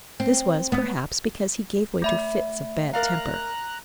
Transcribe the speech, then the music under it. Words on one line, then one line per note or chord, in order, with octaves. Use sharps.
This was, perhaps, because he gave way to fits of bad temper.
C4
B3
A3 E5 B5
A#4 D5 F5 A#5 F#6